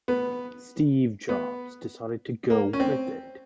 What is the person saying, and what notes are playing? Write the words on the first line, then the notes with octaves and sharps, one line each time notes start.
Steve Jobs decided to go with it.
B3
B3
A#3
C#4
C4